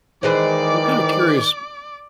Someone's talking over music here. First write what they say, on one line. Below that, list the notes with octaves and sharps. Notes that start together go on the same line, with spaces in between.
I'm kinda curious.
D#3 E3 G#3 C5 D5 D6